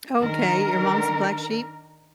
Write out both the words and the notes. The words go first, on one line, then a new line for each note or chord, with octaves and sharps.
Okay, your mom's the black sheep?
D#3 D4 A#4